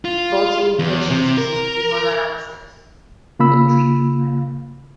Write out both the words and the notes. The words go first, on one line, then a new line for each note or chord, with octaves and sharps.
Fourteen patients received hemodialysis, but the treatment failed.
F4
E2
C3
A#4
C#3 A#3 F4 B5 E6